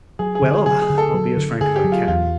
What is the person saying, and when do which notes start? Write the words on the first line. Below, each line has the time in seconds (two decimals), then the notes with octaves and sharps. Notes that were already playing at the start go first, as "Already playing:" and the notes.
Well, I'll be as frank as I can.
0.19 F#3 G#4
0.35 G#4
0.42 D3
0.51 G#4
0.66 F#3 G#4
0.82 G#4
0.90 D3
0.98 A4
1.14 F#3
1.37 D3
1.61 D3 G#4
1.76 G4
1.84 F#3
1.92 F4
2.08 E2 F4